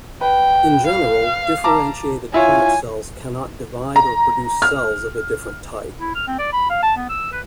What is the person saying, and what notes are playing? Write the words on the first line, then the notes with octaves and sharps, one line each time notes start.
In general, differentiated plant cells cannot divide or produce cells of a different type.
B4 G5
F5
A5 A#5 D6
E4 F4 C#5 G#5
A#5
F6
E4
F6
C4
D5
B5
F5
A5
B3
E6
B4